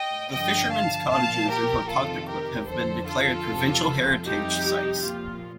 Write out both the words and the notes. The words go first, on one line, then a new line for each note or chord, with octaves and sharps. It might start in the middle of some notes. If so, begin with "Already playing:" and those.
The fishermen's cottages in Hotagterklip have been declared provincial heritage sites.
Already playing: D#5 G5
G2 D3 F3 D#5 G5
F5 A5
A#2 F3 F5 A5
G4 A#4
F2 C3 D#3 F4 A4
G4 A#4
F2 D3 F3 A4 C5
F4 A4
F2 C3 F3
F2 C3 G3 D#4 G4
A#2 F3 F4